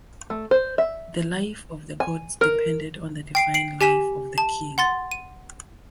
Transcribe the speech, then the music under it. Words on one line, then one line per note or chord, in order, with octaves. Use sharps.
The life of the gods depended on the divine life of the king.
A3
C5
E5
G#5
A#4
G5 C7 D7
C7 D7 F#7
G4 G#5 B6 E7
A5
F#5 C6 A6
D#7